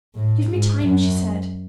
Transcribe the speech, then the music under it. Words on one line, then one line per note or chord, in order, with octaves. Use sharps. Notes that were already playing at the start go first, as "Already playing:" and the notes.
"Give me time," she said.
A2
G#2
F#2